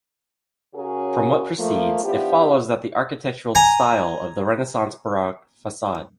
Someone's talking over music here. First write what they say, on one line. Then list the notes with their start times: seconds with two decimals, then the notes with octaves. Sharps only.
From what proceeds, it follows that the architectural style of the renaissance baroque facade.
0.75 C#3 C#4 F#4 G#4 A#4
1.59 F3 A3 A#3
2.04 F3 B3 D4 E4 G4
3.55 G#5 A#5